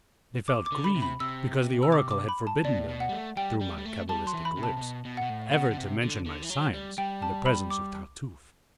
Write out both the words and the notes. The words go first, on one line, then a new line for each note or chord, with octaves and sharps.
They felt grieved because the oracle had forbidden them, through my cabalistic lips, ever to mention my science in the presence of Tartufe.
D6
D6
D3
B5
C3
B5
C3 E6
E6
D6
D6
B5
A5
B2 D5
A2
B2
F#5
G3
A3
G3 G5
G3
G3
A3
G3 A5
F#3 C6
E3
B5
C3
A5
C3
B2
B2
B2 F#5
A2
B2 F#5
D3
C3
D3
D3
E3
F#3
G3
G3 G5
A5
B5
D6